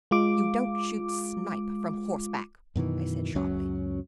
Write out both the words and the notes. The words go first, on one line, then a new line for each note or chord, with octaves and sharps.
"You don't shoot snipe from horseback," I said sharply.
G#3 F4 D6
F#2 B2 D#3 E3
C#2 F#2 F#3 C#4